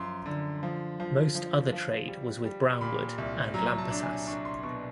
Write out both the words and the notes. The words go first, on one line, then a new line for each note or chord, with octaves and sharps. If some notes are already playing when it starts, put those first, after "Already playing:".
Most other trade was with Brownwood and Lampasas.
Already playing: F#2 F3 C6
D3
F3
F3
F3
F3
G3
G3
A#2 B5
C2
F#3 A#5
A5
D4
G#5
D4 C#6
C6
B2 C#6